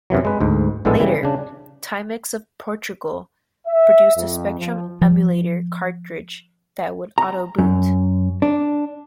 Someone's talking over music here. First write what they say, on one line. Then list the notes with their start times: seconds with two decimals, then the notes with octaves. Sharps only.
Later, Timex of Portugal produced a Spectrum emulator cartridge that would auto-boot.
0.10 F#2 C3 E3 F#3
0.25 G#3 B4
0.41 D2 G#2
0.85 A#1 A2 G#3 B3 D4 A4
0.99 C#3 E3 G3
1.23 C#3 D4
3.68 E5
4.16 F2
4.59 F3
5.01 F3
7.18 A#5
7.58 F#2
8.42 D4